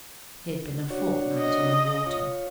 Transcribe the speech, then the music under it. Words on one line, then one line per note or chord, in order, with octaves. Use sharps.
He had been a fortnight in the water.
D4 F#4 C#5
D#5
F4 C#5